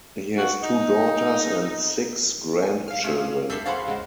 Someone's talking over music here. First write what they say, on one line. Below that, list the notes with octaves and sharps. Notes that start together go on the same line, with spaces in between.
He has two daughters and six grandchildren.
F#4
D#4
D#1 G#5
F5 F6
C3 A3 G#4
E2 G3 D4 A4 E5 C7
B2 G#4 C5 F5 F#5 B5
A1 C#3 G#3